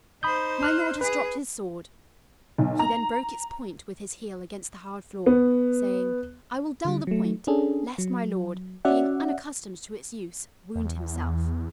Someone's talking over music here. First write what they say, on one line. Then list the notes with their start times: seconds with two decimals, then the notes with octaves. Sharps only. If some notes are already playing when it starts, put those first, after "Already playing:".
"My lord has dropped his sword." He then broke its point with his heel against the hard floor, saying: "I will dull the point, lest my lord, being unaccustomed to its use, wound himself."
0.23 D#4 C5 B5 D#6 G6
0.63 F6 F#6
1.01 G#4 B4
2.58 B1
2.79 A#5
5.26 B3
6.85 D3 G3
7.07 F#3 A3
7.47 C#4 D4 G#4 A4
7.98 F#3
8.85 C#4 F#4 D5 E5 F#5
10.76 E2